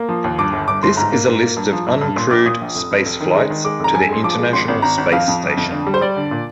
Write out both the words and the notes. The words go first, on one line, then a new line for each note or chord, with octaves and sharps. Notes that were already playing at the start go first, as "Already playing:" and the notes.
This is a list of uncrewed spaceflights to the International Space Station.
Already playing: A#3
F3
D#2
G2 D6
G1
G2 D6
G1 C6
G#2 A#5
A#3
G#2
A#3
G2
F3
G2
G2
A#2 C6
A#1 D6
A#2 D#6
A#1
F1
F1
F1
D#3
G#3
D#3
G#3 D6
F1 A#5
G2 G#5
G#3 C6
F3 D6
G#3
G#1 C6
G#1
G#1 A#5
G#1
F2 F5
F2
G1
F2
D3
G3
C5
G3 D5
D3
A#2